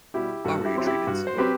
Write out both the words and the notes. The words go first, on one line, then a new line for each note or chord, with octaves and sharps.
Why were you treated so?
B2 G3 E4 G4
G2 F#4 A4
E4 G4
F#3 C4 E4
E4 G4
G2 F#4
C5
F#3 C4 G4 B4